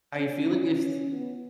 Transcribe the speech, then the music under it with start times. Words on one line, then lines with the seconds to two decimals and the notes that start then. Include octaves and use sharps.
I feel like if s
0.17 C#4
0.49 C#4
0.80 C#4
1.11 B3